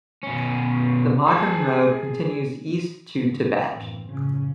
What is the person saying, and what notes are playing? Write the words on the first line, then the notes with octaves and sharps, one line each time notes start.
The modern road continues east to Tibet.
B2 C#4
G#4 A5
D3
F#1 A2 E3 A#3 C4
F#2 A2 C#3 F3 C#4